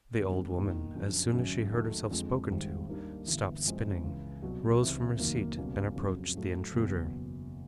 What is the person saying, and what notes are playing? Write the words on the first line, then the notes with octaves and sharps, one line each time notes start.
The old woman as soon as she heard herself spoken to stopped spinning, rose from her seat and approached the intruder.
D#2 D3 G3 B3
E1 D#2 D#3
F#2 D3 F3
G#1 F#2 C#3 F#3
D#2 D#3 F#3 A3
F2 D3 F3 G#3
G#1 G#2 D#3 G3 C4
D#2 D#3 G3 A#3 D4
G1 G2 E3
F#2 C#3 F3 G#3 C4
C#2 C#3 E3
C2 B2 F#3
C#2 C3 E3
F1 D#2 D#3 F#3 A#3
C#2 B2 G3 A#3 C#4
F2 C#3 F#3
A2 F#3 A3
F#1 E2 B2 F#3